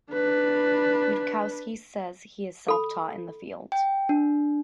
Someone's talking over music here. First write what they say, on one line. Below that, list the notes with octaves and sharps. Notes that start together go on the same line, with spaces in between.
Yudkowsky says he is self-taught in the field.
D4 B4
A4 B5
G5
D4